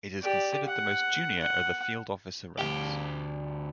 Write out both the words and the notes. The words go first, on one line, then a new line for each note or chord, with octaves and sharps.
It is considered the most junior of the field officer ranks.
G4 D5
F#5
F#5
D2 G4